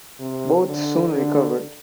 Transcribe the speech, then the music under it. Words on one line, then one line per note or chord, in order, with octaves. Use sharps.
Both soon recovered.
C3
D3
D3